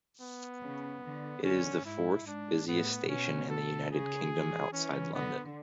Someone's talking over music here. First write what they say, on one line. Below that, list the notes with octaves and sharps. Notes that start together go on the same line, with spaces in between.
It is the fourth busiest station in the United Kingdom outside London.
B3
C#3
D3
D3 C#4
G#2 E4
G#2 D4
A2 B3
B2 C#4
A4
C#3 G#4
E3
E3 C#4
D3 B3